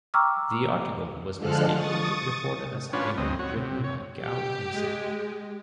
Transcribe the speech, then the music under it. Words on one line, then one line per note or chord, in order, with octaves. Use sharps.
The article was mistakenly reported as having been written by Gou himself.
G5 A#5 C#6 D6 E6 F6
D3 F3 G#3 A4 F6 F#6
C#6 D#6 A6
C#4 D4 F4 B4 C#5
D2 C4 D#5
F#4 C#5
C3
C#5
G4
G#3